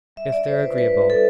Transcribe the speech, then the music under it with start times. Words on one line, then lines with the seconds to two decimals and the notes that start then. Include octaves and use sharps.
"If they're agreeable."
0.16 G3 E5
0.32 D5
0.37 D4
0.48 C5
0.58 F4
0.63 B4
0.78 G3 B4
0.99 G3
1.10 A4